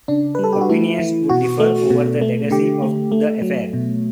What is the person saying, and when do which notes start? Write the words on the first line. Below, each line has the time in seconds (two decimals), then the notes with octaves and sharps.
Opinions would differ over the legacy of the affair.
0.08 C#3 D4
0.35 B4
0.39 G3 A4
0.53 G4
0.61 F#4
0.70 A3 E4
0.99 E3
1.29 B2 F#4
1.60 A3
1.90 B2
2.21 A3
2.51 D3 G4
2.82 A3
3.12 A3
3.42 F#3
3.73 B2